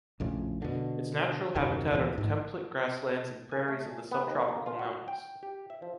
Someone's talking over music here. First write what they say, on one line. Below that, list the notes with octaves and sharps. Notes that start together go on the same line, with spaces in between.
Its natural habitat are the template grasslands and prairies of the subtropical mountains.
A#1 F2 A2 C#3
B2 D3
D#1 F#2 C3 D#3
D2 A#2 E3 A#3
A1 G#2
G#5
A3
G#4
B3
D#2
A#3
F4
F#4
G5
G4
E5
F3